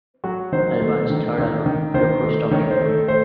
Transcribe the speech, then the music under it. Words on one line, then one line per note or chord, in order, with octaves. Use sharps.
Alban's third album Look Who's Talking!
F#3 F#4
D#3 C5
A3
D#3
D#3
D#3
D#3 C5
A3
D#3 C#5
C5
A3
A4
A3 C5